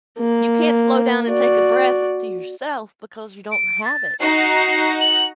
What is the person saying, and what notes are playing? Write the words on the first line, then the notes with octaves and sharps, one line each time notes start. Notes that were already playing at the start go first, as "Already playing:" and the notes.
You can't slow down and take a breath to yourself because you don't have it.
A#3
F#4 D5
D7
A6
D#4 F#4 F#5 C7
F#7